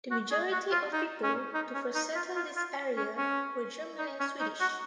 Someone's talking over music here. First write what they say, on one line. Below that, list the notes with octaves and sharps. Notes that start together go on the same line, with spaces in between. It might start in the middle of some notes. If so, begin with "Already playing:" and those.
The majority of people to first settle this area were German and Swedish.
F#4
G#4
F#4
F4
D#4
C#4
D#4
C#4
D#4
F4
F4
F4
C#4
C#4
D#4
C#4
D#4
F#4